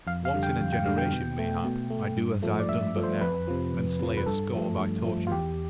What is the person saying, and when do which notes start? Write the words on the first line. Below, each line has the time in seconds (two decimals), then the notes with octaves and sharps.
Once in a generation mayhap I do as I have done but now, and slay a score by torture.
0.07 F2 F5
0.25 F5
0.34 D3 G3
0.43 G5
0.60 F2
0.73 G5
0.85 D3 G3 F5
0.98 G5
1.12 B2
1.39 A3
1.64 B2
1.90 A3
2.17 G2
2.42 F3 A3
2.60 D5
2.69 G2 E5
2.96 F3 A3
3.03 C5
3.21 F2 B4
3.48 C3 F3
3.74 F2
4.00 C3 F3
4.17 B4
4.26 G2 A4
4.53 F3 A3
4.78 G2
5.04 F3 A3
5.27 F4
5.31 E2 G4